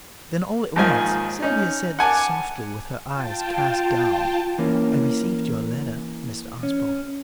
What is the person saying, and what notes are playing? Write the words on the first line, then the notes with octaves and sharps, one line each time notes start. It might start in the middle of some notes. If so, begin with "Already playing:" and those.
Then all at once Sylvia said softly, with her eyes cast down, "I received your letter, Mr. Osborne."
D#2 G#2 D#3 F3 D#4 G#5
C#4 D#4
F#5 G#5 A5 D6
F4 G5 A5
E3 A#3 C#4
C#4